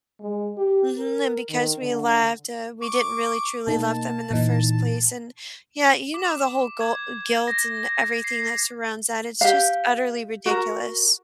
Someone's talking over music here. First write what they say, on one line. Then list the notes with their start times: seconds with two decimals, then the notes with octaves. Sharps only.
Mhm, and because we left, uh, we didn't really truly love them in the first place. And, yeah, you know, the whole gol guilt, and everything, that surrounds that, it's just utterly ridiculous.
0.20 G#3
0.58 G4
0.97 A#4
1.50 D#3
1.81 D3
2.82 C#6 D6
3.67 B2 A#3 D#4 A5
4.30 A#2 E3 D#4
6.14 D6
6.80 G#6
7.48 A#6
8.24 C7
9.41 G4 F5
10.46 F#4 A#4